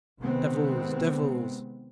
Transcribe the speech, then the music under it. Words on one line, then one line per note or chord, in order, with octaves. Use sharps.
Devils! Devils!
C3 D#3 G#3 B3 C4